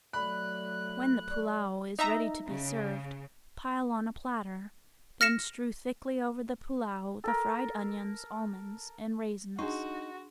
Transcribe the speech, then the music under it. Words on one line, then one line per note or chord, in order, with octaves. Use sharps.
When the pullao is ready to be served, pile on a platter, then strew thickly over the pullao the fried onions, almonds, and raisins.
F#3 A3 D5 B5 F#6
D5
D#4 E5 A#5
C#3
F6 A#6 C#7 E7
A4 A#4
D4 D#4 F#4 G#4 A#5 C6 C#6